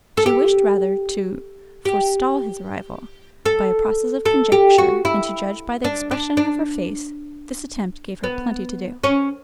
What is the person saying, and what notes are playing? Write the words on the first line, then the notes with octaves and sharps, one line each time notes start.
She wished rather to forestall his arrival by a process of conjecture, and to judge by the expression of her face this attempt gave her plenty to do.
A4
G4
G4
A4
A4
G4
F#4
E4
D4
D4
D4
B3
C#4